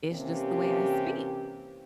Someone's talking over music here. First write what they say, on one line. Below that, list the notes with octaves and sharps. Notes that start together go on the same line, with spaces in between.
"It's just the way I speak,"
C3 E3 A#3 C#4 G4